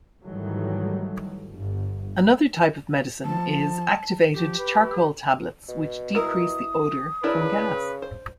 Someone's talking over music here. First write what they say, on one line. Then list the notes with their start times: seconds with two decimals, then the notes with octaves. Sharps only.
Another type of medicine is activated charcoal tablets which decrease the odor from gas.
0.23 G#2 D#3 E3 F#3 G3 A3
1.52 G1 G2
3.24 F3 A5
4.34 F3 G4
4.58 B4
5.69 B2
6.15 E4 A#4 D#6
7.23 C#3 D4 E4 A#4 B4
8.02 C5